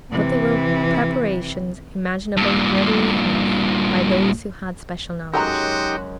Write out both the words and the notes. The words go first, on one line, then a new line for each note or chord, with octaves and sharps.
But there were preparations, imaginable readily enough by those who had special knowledge.
C3 E3
G2 A#2
F#2 G#3 D#4 F#4 G4 A4 G5 A#5